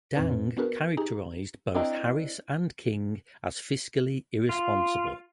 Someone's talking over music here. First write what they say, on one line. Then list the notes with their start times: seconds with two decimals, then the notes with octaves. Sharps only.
Dang characterized both Harris and King as fiscally irresponsible.
0.16 F2 A#2 C4 D#4 B4
0.57 B3 D4 F#4 G#4 A#4 B4
0.97 D#4 G4 G#4 A#5
1.75 C4 D4 E4 D#5 A#5
4.49 F4